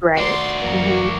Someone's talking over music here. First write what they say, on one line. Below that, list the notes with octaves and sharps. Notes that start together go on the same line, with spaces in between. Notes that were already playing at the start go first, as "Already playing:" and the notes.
Right. Mhm.
F#4 D5 C6
F#2 E3 A#3